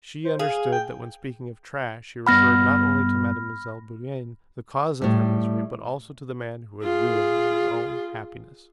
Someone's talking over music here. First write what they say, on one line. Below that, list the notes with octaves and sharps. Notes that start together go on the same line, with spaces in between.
She understood that when speaking of "trash" he referred not only to Mademoiselle Bourienne, the cause of her misery, but also to the man who had ruined his own happiness.
C5
G#4 F5
G5
G2 B3 F#5 B5 F6 A#6
A2 G3
F4 G#4